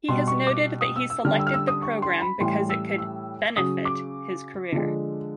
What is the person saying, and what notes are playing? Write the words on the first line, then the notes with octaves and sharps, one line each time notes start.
He has noted that he selected the program because it could "benefit" his career.
B2 G3 C6
C#6
D6
D#6
E6
E6
D3 G3 F6
E6
F6
E6
D#6
C#6
C6
B5
A2 E3 G3 C6
E6
E6
C#3 F#3 D#6
D6
D3 F3 G#3